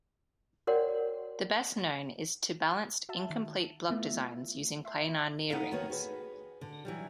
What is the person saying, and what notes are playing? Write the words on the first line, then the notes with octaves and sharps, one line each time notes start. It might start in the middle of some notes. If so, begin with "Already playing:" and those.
The best known is to balanced incomplete block designs using planar near-rings.
F#4 A#4 C#5 D5 F#5 G5
F#4 E5 A5
D#3
A3 B3 E4 F4 E5
E5 C6
D#2 B3 D#4 E4 A4 F5
F2 D#3 A#3 B3 F#4 C#5
F#4 G#4 B4
D3
E3 F#3 G3